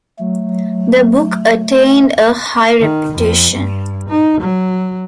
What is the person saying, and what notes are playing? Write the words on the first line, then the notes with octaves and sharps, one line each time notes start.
The book attained a high reputation.
F#3 A3
D#3
F2
G2
D#4
F#3